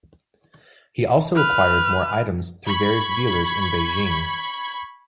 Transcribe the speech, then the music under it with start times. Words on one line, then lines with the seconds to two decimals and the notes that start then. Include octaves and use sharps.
He also acquired more items through various dealers in Beijing.
1.35 B4 F6
2.66 B5 C#6 G#6 B6